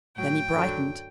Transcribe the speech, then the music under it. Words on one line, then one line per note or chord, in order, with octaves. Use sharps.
Then he brightened.
A2 F#3 G5
F#2 D3 F#3